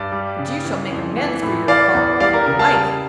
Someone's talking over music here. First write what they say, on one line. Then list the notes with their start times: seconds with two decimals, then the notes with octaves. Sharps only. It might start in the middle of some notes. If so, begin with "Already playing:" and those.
But you shall make amends for your fault with your life.
Already playing: G2 D5
0.12 G3
0.39 C#3
0.64 E3
0.90 F2
1.17 E3
1.42 A2
1.68 E3 D5 F5
1.94 E2
2.20 G3 D5 F5
2.34 A#4
2.46 C#3 A#4
2.59 F5 A5
2.73 G3